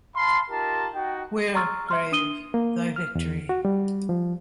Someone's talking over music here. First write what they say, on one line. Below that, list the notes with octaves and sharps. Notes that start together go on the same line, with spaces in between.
Where, grave, thy victory?
F5 A5 B5 C6
D#4 F4 G4 A#4 A5
D#4 F#4 G5
A#5 C6 C#6 E6 F6 A6
E5 C6 F6
D4 D#6 D#7 G7
A#3
F6
E2
F#4
G3
F3